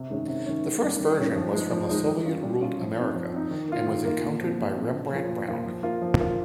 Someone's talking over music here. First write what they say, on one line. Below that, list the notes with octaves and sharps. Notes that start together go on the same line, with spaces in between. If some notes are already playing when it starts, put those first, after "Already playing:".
The first version was from the Soviet-ruled America, and was encountered by Rembrandt Brown.
Already playing: C3
D#3 G#3 C#4
C3
D#3 G#3 C#4
D#3
G3 C#4
D#3
G3 C#4
F3
G#3 D#4
F3
G#3 D#4
G3
C#4 F4
G3
C#4 F4
F3
C4 D#4
F3
C4 D#4
D#3
A#3 F4
D#3
A#3 F4
A#2
F3 C4
A#2
F3 C4
A#2
F3 A#3 F4
A#2
F3 A#3 F4
F3
A#3 F4
F3
A#3 F4